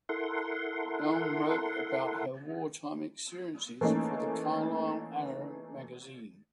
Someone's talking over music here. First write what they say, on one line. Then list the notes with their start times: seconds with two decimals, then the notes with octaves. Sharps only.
Elm wrote about her wartime experiences for the "Carlisle Arrow" magazine.
0.09 E4 A4 A#4 F#5 C6
3.81 E3 A3 A#3 C#4 D#4